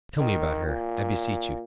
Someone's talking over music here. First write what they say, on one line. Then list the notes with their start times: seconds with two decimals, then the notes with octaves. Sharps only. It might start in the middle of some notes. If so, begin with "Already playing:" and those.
Tell me about her, I beseech you.
0.19 D#3
0.66 A#2